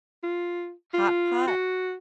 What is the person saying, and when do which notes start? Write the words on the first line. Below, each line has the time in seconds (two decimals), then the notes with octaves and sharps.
Hot pot?
0.24 F4
0.94 F4
1.48 F#4